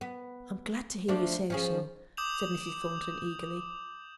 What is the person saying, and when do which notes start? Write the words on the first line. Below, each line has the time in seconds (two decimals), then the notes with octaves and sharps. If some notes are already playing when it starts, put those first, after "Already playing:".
'I'm glad to hear you say so,' said Mrs. Thornton, eagerly.
0.01 B3
1.08 F3 A3 D4
1.50 F3 C#4 G#4
2.17 D6 D#6 G6 E7 F7